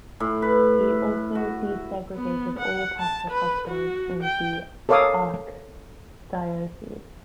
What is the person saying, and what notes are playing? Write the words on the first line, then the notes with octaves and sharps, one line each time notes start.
He also desegregated all Catholic hospitals in the archdiocese.
A2
B4
F#4
B3
F#5
A5
B4
F#4
G5
A4 A#4 C#5 F5 D6 D#6